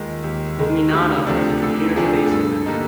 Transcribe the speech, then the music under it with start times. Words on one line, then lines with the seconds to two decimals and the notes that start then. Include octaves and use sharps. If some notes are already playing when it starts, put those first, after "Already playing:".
Luminata is a community-based event.
Already playing: D#2 D#3 G#3 F4
0.23 D#2 G4
0.59 D#3 G#3
0.88 F#4
0.93 D2 G4
1.27 C3 F3 A3 D4
1.62 D2 A4
1.96 C3 F3 A3 D4 G#4
2.31 G2 A4
2.66 D3 G3 A#3 D#4